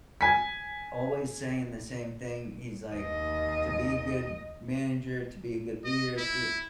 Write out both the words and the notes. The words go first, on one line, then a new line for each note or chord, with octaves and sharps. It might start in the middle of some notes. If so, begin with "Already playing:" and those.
always saying the same thing. He's like, "To be a good manager, to be a good leader, to be
G#5 B6
D#2 D#5
D#5
E4